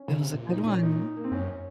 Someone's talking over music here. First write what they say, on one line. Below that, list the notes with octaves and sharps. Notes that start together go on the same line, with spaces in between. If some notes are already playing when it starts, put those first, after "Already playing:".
It was a good one.
Already playing: C#4
C#3
C3
A#2
D#4
C#4
D#4
A#3
C4
F#2 C#4